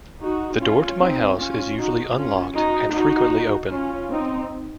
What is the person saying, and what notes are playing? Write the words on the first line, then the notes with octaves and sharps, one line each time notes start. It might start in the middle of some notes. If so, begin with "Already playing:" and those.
The door to my house is usually unlocked and frequently open.
D#4 F#4
C#4 F4
C4 D#4
C#4 F4
D#4 F#4
C#4 F4
D#4 F#4
D#4 F#4
C#4 F4
C4 D#4